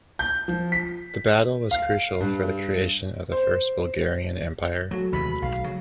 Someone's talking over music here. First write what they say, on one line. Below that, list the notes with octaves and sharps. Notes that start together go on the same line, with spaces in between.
The battle was crucial for the creation of the First Bulgarian Empire.
G6
F3
B6
F5
G2
C5
F#3 G#3 A3 F#4
D#2 C3 E3 B5
B1 F5
C#3 F#3